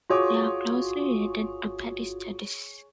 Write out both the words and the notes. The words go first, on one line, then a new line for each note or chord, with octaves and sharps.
They are closely related to "Pachystachys".
F4 F#4 G#4 C#5 D6 D#6